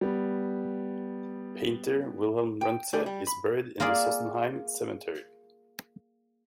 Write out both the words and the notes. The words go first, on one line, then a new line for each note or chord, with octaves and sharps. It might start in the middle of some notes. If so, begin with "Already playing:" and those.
Painter Wilhelm Runze is buried in the Sossenheim Cemetery.
G3 B3
G5
A3 G4 D5 G#5
G3
B5
A#3 F4 G#4 D5